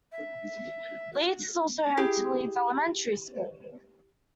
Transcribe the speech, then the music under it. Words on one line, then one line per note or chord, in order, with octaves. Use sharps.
Leeds is also home to Leeds Elementary School.
E5
F#4
E4 G4 G#4